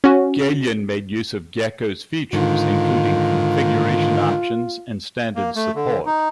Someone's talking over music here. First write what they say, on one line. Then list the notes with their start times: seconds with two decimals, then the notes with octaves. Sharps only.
Galeon made use of Gecko's features including configuration options and standards support.
0.04 C#4 F#4
2.33 G#2 D3 D#3 F4
5.36 A#3
5.55 A3
5.75 D3
6.06 D#4